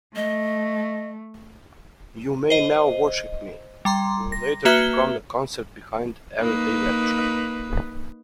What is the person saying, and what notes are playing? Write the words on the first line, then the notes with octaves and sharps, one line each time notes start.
"You May Now Worship Me" would later become the concept behind "Everyday Rapture".
A3 D#5
C5 D#5
G3 A#5 C6
A#6
A#3 F#4 B4 E5 G#6 G7
A#3 D#4 B4